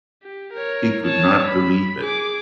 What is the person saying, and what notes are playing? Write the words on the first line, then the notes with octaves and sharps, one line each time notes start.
He could not believe it.
G4
A#4 C#5
C#5 A5
B5
G#4 D6